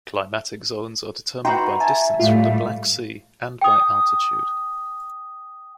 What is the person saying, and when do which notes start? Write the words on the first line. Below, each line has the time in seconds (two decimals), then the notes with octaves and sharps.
Climatic zones are determined by distance from the Black Sea and by altitude.
1.45 D#4 F#4 B4 G5 A#5 C6
1.80 E5 G#5 A5
2.19 A2 G3 A3 F4 F5
3.61 G5 D#6